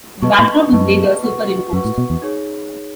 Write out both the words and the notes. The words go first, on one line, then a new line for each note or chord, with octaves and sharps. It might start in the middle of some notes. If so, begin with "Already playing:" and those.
The backdrop was later superimposed.
B2 B4 D#5 A5 C#6
A2
F#2 B4 D#5 A5 C#6
F#4 B4 F#5 C#6
F#2 F#4 B4 F#5 C#6
A2
B2
E2
D#4 G#4 C#5